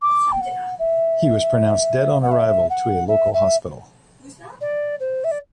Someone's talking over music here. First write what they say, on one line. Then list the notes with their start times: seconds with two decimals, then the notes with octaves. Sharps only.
He was pronounced dead on arrival to a local hospital.
0.02 D6
0.32 G5
0.40 F#5
0.79 E5
2.22 F#5
2.31 E5
2.70 F#5
3.08 E5
3.33 E5
4.61 D5
5.00 C5
5.24 E5
5.31 D5